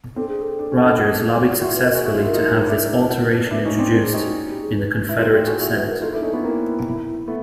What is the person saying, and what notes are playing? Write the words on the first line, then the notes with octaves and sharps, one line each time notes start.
Rogers lobbied successfully to have this alteration introduced in the Confederate Senate.
C4 D4 A4
G#4
A4
D4
C#4
C4 D4
F#4
F4
E4 F#4
B4
A#4
F#4 G#4
E4 F#4
F4
E4 A#4
D#4 F4
D4 E4
B4
D4 E4
C#4 D#4
C4 D4
C4 D4 A#4
G#4
C#4 D#4 G4
F#4
G4
G#4
B4
E4
D#4 F4 A#4
F4 G4 A4
F#4 G#4 A4
E4 F#4
B4
A#4
D#4 F4 A4
D4 E4 A4
C#4 D#4 A4
B3 C#4 F4
A#3 C4 E4
A3 B3